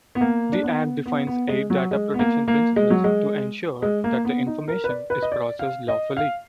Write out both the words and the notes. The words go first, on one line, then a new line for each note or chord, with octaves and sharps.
The Act defines eight data protection principles to ensure that information is processed lawfully.
B3
A#3
D4
B3
B3
B3
G#3
F#3
G#3
B3
A#3
A#3
G#3
F#3
G#3
G#3
A#3
B3
D#4
A#4
B4
D5
B4
D#5
D5
F5
D#5
F5